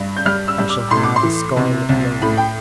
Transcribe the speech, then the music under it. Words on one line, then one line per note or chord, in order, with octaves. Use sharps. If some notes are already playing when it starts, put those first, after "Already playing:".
I shall have a scarlet robe.
Already playing: G2
G6
G3 F6
E6
G3
D6
A2 C6
D6
C6
E3
C3
C2
A2 B5
G5